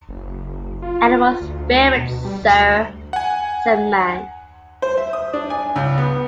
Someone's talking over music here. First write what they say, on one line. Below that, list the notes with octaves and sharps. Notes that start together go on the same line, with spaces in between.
"Animal spirits, sir," said Mann.
F#1
F4
D2
B2
G3
D2
F#5 G#5
C5
E5
D#6
D4
G#5
C#2
B3